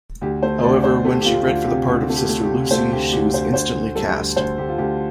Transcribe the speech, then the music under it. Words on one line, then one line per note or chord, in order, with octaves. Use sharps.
However, when she read for the part of sister Lucy, she was instantly cast.
D2 G4
A3 C5
D2 D5
D2 C5
A3 G4
G4
A3 F4
D2 F4
C3 G4
D2 G4
A3
G4
A3
G4
C3
A3 C5
D2 G4
D2 G4
D2 C5
D2 C5
D2
G3 A4
D2
D2 C5
D2 G4
F4
D2 G4